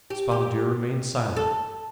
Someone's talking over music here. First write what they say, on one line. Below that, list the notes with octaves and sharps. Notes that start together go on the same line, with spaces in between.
Spotted Deer remained silent.
G4
G4
A4